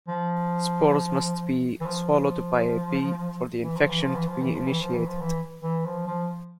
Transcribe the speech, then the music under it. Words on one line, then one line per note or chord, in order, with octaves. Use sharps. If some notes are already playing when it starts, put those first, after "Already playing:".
Spores must be swallowed by a bee for the infection to be initiated.
F3
E3
F3
E3
F3
E3
F3
E3
F3
E3
F3
E3
F3
E3
F3
E3
E3
F3
F3